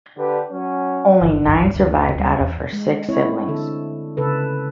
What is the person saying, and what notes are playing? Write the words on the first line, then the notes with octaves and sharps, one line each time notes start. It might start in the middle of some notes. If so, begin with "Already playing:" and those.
Only nine survived out of her six siblings.
D3 D4 G4 B4
F#3 C#4
G1 D3
G1 C2 F#2
F#1 D2
D2 G3
E2
G#3
C4 E4 C#5
D3 A4
C#3 A4 B4